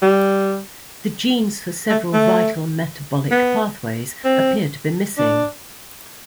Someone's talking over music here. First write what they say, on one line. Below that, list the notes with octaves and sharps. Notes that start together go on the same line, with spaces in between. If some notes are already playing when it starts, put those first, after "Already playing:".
The genes for several vital metabolic pathways appear to be missing.
G3
A3
A3
B3
C4
D4